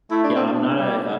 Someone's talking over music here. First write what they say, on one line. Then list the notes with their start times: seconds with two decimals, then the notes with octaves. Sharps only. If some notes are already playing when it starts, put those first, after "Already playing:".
Yeah, I'm not a
0.11 A3 E4
0.24 D4
0.35 C4
0.47 D4
0.78 G3